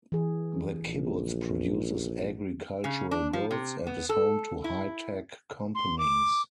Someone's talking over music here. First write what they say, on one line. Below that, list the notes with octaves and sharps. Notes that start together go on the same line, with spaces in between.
The kibbutz produces agricultural goods and is home to high tech companies.
E3 G#4
A#1
C#3
D4
F3
C3
B3
A4
E4
C6
D6